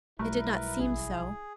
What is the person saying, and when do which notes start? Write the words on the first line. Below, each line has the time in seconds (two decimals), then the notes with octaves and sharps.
It did not seem so.
0.19 B1 G3 A3 E4 A#4 B4
0.79 A1 G#4